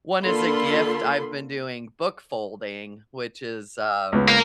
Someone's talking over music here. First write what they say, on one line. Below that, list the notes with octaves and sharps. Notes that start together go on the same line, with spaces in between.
one is a gift. I've been doing book folding which is, um
D3 A#3 F4 A4 B5 C6
C#2 B3
A#3 A#4